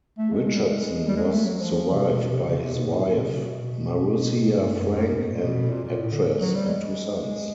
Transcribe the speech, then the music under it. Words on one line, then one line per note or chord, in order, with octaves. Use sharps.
Richardson was survived by his wife, Maroussia Frank, an actress, and two sons.
A3
G#3
G#3
G3
G#3
G3
G#3
A3
F#3
F3
F3
C3
B2
C3
C#3
C3
B2
A2
A#2
B2
C#3
B2
G2
F#2
F#2
F#2
A#2
B2
A#2
A#2
A2
D3
F#3
G3
G#3